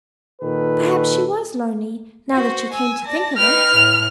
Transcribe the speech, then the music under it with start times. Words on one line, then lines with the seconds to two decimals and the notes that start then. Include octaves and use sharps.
Perhaps she was lonely, now that she came to think of it.
0.42 A#2 D#3 A4 B4
2.32 F#4 C5
2.70 G#5 E6
3.04 D5 A5 A#6
3.38 D#4 B4 G5 F6
3.75 A2